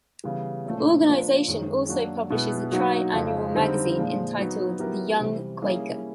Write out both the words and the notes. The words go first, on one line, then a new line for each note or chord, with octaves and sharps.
The organization also publishes a tri-annual magazine entitled The Young Quaker.
C#3 E3 G3 B3
A#2 F3 A3 C#4
F3 A#3 D4 F4 A#4
F#2 D#3 G#3
F#3 A#3 D4 F#4
B2 G#3 B3 E4
F#3 A#3 D#4 F#4
F2 C#3 F3
D3 G3 C4 D#4
A#2 F3 G#3
F#3 B3 D#4
F#3 B3 E4 G4 A#4
C3 E3 G3
G3 A#3 C#4 E4 G#4